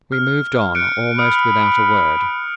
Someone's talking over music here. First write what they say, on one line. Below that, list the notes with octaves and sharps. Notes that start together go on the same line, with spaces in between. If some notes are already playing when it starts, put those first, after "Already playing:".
We moved on almost without a word.
F6
F#6 C#7 D7
B5 D#6 F6 C#7